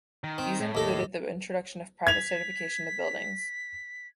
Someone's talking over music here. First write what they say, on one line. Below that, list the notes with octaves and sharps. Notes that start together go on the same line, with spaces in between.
These included the introduction of private certification of buildings.
D#3
C4
A2
D#2 A4 A#5
G#6 B6 F7